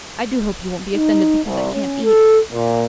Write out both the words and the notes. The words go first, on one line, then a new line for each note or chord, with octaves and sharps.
I do hope you won't be offended because I can't eat.
D#4
C2
C#4
A4
A#2